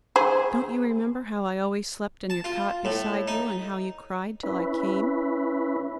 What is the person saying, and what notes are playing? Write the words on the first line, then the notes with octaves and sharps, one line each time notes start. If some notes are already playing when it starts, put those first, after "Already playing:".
'Don't you remember how I always slept in your cot beside you, and how you cried till I came?
G#4 C5
A5
F4
A2
D#4
C#4 E4 B4